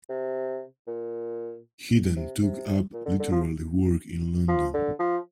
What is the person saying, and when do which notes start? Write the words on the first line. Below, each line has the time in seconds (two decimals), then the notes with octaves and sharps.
He then took up literary work in London.
0.09 C3
0.87 A#2
2.16 C3
2.42 C3
2.93 A#2
3.05 D3
3.19 D3
3.32 F3
4.48 F3
4.73 D3
4.99 F3